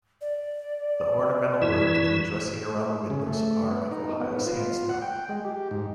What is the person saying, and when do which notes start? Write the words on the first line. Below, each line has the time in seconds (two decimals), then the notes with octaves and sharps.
The ornamental work and the dressing round the windows are of Ohio sandstone.
0.21 D5
1.62 F#2 E3 E4
3.10 C#3
3.27 A3
3.71 B3
3.91 D#4
4.20 B3
4.46 F4
4.89 F#5
5.02 G5
5.29 G#3
5.45 G4
5.71 G#2